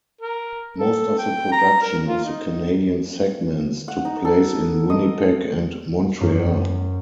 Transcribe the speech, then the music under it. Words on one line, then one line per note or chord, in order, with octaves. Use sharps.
Most of the production of the Canadian segments took place in Winnipeg and Montreal.
A#4
A4
G5
A#5
A#4
F4
D#4
F#5
D#4
A4
D#5
F#2